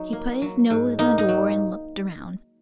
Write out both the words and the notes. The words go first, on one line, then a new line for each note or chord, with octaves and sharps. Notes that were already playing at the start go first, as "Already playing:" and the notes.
He put his nose in the door and looked around.
Already playing: F#3 D#4
A#3
F#3
G#2
A#3 D#4
D#4
F#3